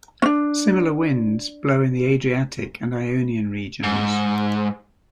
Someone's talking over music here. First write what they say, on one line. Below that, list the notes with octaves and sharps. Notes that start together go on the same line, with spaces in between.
Similar winds blow in the Adriatic and Ionian regions.
C#4 D4
G#2